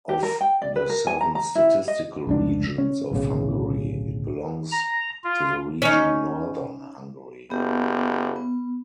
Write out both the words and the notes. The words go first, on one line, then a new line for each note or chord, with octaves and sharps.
Of the seven statistical regions of Hungary it belongs to the region Northern Hungary.
G4
A#4
G5
D5
B4
A#4
G#5
A#5
A#5
E4
D#5
F1 C#2 D4
C#4
D1 B1 C#3
A#5
F4
C#4 D#4
F#1 B3 G4
B3